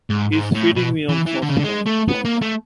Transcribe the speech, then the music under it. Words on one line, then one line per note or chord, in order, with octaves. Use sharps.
He's feeding me on soft corn, thought I.
G#2
G#2
A2
B2
E3
E3
D3
C#3
D3
G#3
A3
B3
A#3
A3